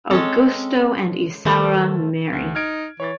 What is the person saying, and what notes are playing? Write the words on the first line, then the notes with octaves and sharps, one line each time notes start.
Augusto and Isaura marry.
G#3 C4 C#4 A4
D#3 F3 A3
D2
D#4 F6 G#6 D7
E3 C#5 A6